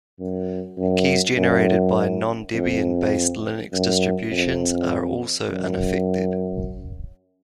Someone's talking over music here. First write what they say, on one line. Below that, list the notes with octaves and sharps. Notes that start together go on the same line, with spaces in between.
Keys generated by non-Debian-based Linux distributions are also unaffected.
F#2
F#2
F#2
F2
F#2
F2
F#2